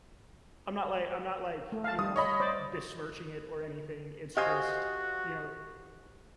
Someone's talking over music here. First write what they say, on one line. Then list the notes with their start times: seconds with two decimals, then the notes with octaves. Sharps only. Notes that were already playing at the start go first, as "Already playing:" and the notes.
I'm not like I'm not like, you know, besmirching it or anything, it's just, you know,
1.72 A3
1.84 F5 A5
1.99 G3 D#6
2.16 C#5 D#5 B5
2.40 C5 D5
4.37 F#4 G4 C5 D#5 F5 G#5